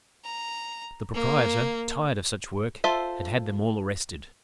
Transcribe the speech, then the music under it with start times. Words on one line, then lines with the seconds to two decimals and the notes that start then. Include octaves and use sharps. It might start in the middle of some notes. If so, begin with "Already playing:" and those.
The proprietor, tired of such work, had had them all arrested.
0.25 A#5
1.14 A#3
2.84 F4 A4 C5 E5